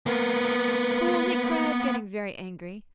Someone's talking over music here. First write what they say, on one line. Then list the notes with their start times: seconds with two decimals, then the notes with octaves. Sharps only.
'Fool!' he cried, getting very angry.
0.06 A#3 B3